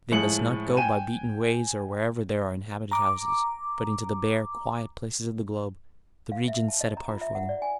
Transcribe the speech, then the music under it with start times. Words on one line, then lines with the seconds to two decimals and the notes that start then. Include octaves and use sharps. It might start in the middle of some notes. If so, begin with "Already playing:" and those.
They must not go by beaten ways or wherever there are inhabited houses, but into the bare, quiet places of the globe--the regions set apart for them.
0.12 A2 F3 G#3 C#7 F#7
0.77 G5 G#5 D#7 E7
2.92 A#5 D6
6.32 F5
6.48 E5
6.68 A5
6.81 D#5
6.97 A#5
7.10 F4
7.21 E5
7.35 F#5
7.49 D5
7.62 G#5